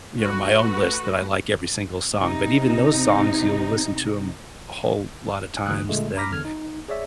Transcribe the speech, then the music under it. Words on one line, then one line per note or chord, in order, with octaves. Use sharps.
you know, my own list that I like every single song, but even those songs, you'll listen to 'em a whole lot of times, then
A3 F#4 B4
C3 D#4
D2 E3 D#6 F#6
A#2 D3 G#3 A3
A#5 B5 D6 F6 A#6 B6
E2 D3 A4 F6 G#6
D#4
G#4 C#5 D5 E5